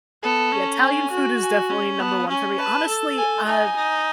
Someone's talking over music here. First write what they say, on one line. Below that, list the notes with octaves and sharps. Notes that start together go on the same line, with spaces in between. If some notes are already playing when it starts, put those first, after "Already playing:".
yeah, Italian food is definitely number one for me. Honestly, ah,
B3 A4
C#4
G#5
F#4
G#5
C#4
B3 A5
C#4 G#5
B4 A5
A4
G#5
D#4 G#5
D#4